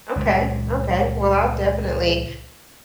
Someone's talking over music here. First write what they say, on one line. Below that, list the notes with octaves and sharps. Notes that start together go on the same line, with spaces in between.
Okay, okay, well, I'll definitely
C#2 A#2